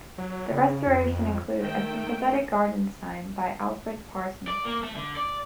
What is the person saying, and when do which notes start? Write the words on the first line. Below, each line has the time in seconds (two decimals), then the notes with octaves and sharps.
The restoration included a sympathetic garden design by Alfred Parsons.
0.18 F#3
0.52 C#3
0.87 F2
1.10 F2
1.62 D#3 A3 G5
4.48 D5
4.65 A#3
4.83 A3
4.96 D3
5.17 D5